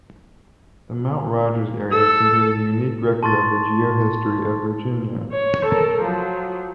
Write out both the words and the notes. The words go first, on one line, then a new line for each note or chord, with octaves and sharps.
The Mount Rogers area contains a unique record of the geohistory of Virginia.
A4 E6
A5 C6 C#6 A6
C#5
A4 A#4
F3 F#3